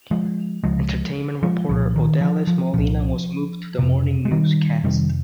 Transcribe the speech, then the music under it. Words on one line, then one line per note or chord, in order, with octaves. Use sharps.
Entertainment reporter Odalys Molina was moved to the morning newscast.
F3 G#3
C#2 C#3 F3 G#3
F3 G#3
C2 A#2 F3
D#3
F3
F3
C2 A#2 F3
F2 C3
G#3
D#3 G3
F2 C3 D#3 G3